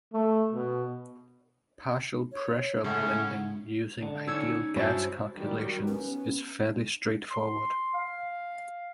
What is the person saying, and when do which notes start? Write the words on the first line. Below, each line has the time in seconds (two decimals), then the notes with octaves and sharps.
Partial pressure blending using ideal gas calculations is fairly straightforward.
0.13 A3
0.52 B2
2.30 C#5
2.84 A2 C#3 G#3 C#4 E4 A4 F#5 G#5
4.02 D3
4.27 C#4 D#4 C#5 E6 G#6 C#7
4.76 G2 C#4 E4 F#4 C5 C#5 G#5 A5
5.36 D#3 F#3 G3
5.87 B3 C#4
7.31 C6
7.94 F5